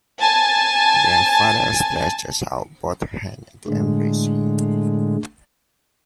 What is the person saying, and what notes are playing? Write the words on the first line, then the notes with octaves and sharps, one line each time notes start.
Grandfather stretches out both hands to embrace him.
G#5 A5
A2 D3 G#3